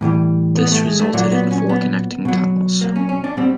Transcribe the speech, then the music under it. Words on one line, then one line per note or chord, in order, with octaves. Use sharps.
This resulted in four connecting tunnels.
A2 E3 G3
B3
A3
G#3
A3
A#2 F#3 A#3
B3
C#4
B3
B2 F#3
A#3
C#4
C#4
D4
B2 G3 C4